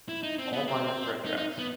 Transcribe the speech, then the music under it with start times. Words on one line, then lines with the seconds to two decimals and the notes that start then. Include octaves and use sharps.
All Minor Threat tracks.
0.09 E4
0.23 D#4
0.38 C4
0.53 B3
0.68 C4
1.25 D#4
1.37 D#4
1.59 B3